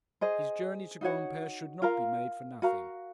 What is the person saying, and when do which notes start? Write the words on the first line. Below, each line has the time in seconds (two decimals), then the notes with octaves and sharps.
His journey to Granpere should not be made for nothing.
0.21 G#4 C5 D#5
1.01 D#4 F#4 C#5 F#5
1.82 F4 A#4 F5 A#5
2.62 F#4 A#4 F5 A#5